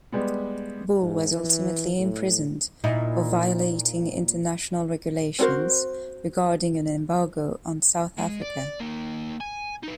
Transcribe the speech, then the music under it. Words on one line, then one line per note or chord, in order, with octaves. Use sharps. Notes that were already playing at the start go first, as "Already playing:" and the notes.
Bull was ultimately imprisoned for violating international regulations regarding an embargo on South Africa.
G3 G#3 B3
G#2
E3
A2
A#2 D#4 E4
C4 D4 F#4 A#4 C5
G#3
D5
A#3 D#4
G#5
D#4 B4